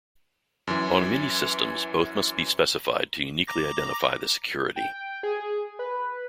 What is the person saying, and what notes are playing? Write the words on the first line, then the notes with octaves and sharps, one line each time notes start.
On many systems both must be specified to uniquely identify the security.
F#2 E3
A#5 D6 A#6
G5
G#4
B4